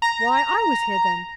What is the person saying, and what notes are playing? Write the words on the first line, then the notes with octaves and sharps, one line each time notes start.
Why, I was here then.
A#5